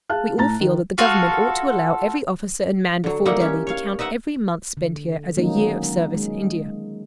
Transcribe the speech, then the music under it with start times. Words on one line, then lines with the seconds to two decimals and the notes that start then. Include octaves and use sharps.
We all feel that the Government ought to allow every officer and man before Delhi to count every month spent here as a year of service in India.
0.10 G#4 F5 A5 F#6
0.37 A2 A5 A#5 A6
0.60 D#3
0.98 F4 F#4 A4 F5
3.04 D3 F#3
3.25 G3 A#3 D#4 E4 F#5 G5
3.40 C#4 G4
3.67 C#5 F5
3.99 D#4 B4 E5 F#5
4.77 D3
5.37 D#3 F#3 G#3 A#3 C#4 D#4
6.14 G#3